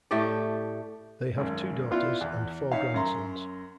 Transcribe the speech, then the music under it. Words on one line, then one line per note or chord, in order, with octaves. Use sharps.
They have two daughters and four grandsons.
A2 A3 G4 D5
G#1 F#2
B3 E4 F4 D5
E2
D#4 C#5 E5 F5
F#2 E5 A#5 C6